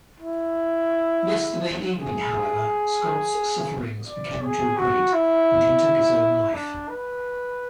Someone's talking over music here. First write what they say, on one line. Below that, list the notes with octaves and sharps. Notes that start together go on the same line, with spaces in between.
Yesterday evening, however, Scott's sufferings became too great, and he took his own life.
E4
G#4
D5
G#4
F#4
E4
D4
B4